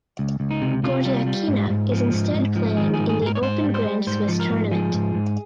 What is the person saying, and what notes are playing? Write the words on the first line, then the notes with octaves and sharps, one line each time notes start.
Goryachkina is instead playing in the Open Grand Swiss Tournament.
C#2
C#2
D#4
C3
C3 F4
G3
G3
G#2
G#2
F3
G#2
G#2
F3
D#3 G#4
G#4
G#2
G#4
G#2 G#4
A#4
C#5
G#2 C5
G3
C5
G3
G#2 C5
F3
A#4
G#2
F3 G#4
G#2
G#2